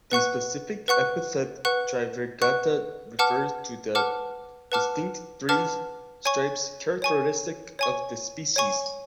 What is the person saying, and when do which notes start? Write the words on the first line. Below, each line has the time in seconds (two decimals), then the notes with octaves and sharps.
The specific epithet "trivirgata" refers to the distinct three stripes characteristic of the species.
0.11 B4 F#5 C#6 F#6
0.88 B4 F#5 C#6 F#6
1.65 B4 F#5 C#6 F#6
2.42 B4 F#5 C#6 F#6
3.19 B4 F#5 A5 D6 F6
3.95 B4 F#5 A5 D6 F6
4.72 B4 F#5 A5 D6 F6
5.49 B4 F#5 A5 D6 F6
6.25 C#5 G#5 C#6
7.02 C#5 G#5 C#6
7.79 C#5 G#5 C#6
8.56 C#5 G#5 C#6